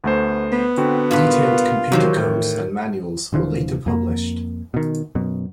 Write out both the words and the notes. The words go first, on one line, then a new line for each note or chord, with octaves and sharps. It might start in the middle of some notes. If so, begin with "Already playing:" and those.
Detailed computer codes and manuals were later published.
D2 A3 B3 C5
B3
D3 C4 F#4
G2 A#2 F4 B4
E2 D#3 F#3 F#4 G4 C5
A2 G6
D#1 D3 E3 F3
F2 A#3
B2 D#3
F#2 B2